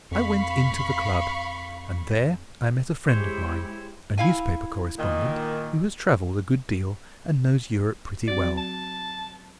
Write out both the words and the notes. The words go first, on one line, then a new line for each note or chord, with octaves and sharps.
I went into the club, and there I met a friend of mine--a newspaper correspondent--who has travelled a good deal, and knows Europe pretty well.
F2 F5 B5 C#6
G#3 E4 G4 C5 C#5
E4 F5 G#5
A#2 D#3
F#3 C4 F#4 D5
A5